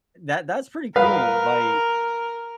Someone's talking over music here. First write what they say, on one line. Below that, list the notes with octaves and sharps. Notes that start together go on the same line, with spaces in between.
that that's pretty cool. Like,
A#4 B4 F5